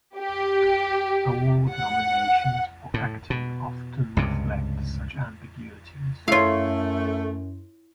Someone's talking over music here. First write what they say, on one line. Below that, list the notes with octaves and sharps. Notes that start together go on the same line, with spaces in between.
Award nominations for acting often reflect such ambiguities.
G4
F#5
A2
B2
C#2 G2 C3
F#2 A3 E4 F4 C#5 F5